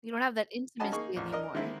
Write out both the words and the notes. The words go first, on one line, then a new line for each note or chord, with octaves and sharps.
You don't have that intimacy anymore.
C#4 F#4 D#5 G#5 A5 B5
A#3 D#4 G#4 C#6
A1 E2
D4 A#4 D#5
D3 D#3 G#3 C4 E4